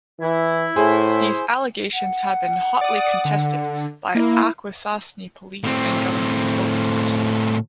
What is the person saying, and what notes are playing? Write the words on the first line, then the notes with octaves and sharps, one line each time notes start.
These allegations have been hotly contested by Akwesasne police and government spokespersons.
E3 E4
A2 G#4 C5
F#5
D5 D#6
D3
A#3 E4
A2 C4